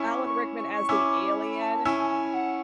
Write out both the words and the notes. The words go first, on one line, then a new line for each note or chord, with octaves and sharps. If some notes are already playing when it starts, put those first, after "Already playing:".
Alan Rickman as the alien,
Already playing: C#4 E4
D6
C#6
C#6
C#6
C#4 E4 D6
B5
A5
C#4 E4 G#5
G#5
F#5